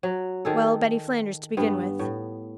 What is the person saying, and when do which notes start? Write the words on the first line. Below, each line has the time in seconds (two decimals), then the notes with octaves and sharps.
Well, Betty Flanders, to begin with.
0.03 F#3
0.45 D#3 G#4 A4
1.57 G2 B3
1.99 A2